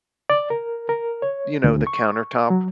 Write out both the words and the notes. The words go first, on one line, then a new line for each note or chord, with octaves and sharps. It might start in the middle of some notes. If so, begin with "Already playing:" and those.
you know, the countertop
D5
A#4
A#4
C#5
D2
C#6
F#3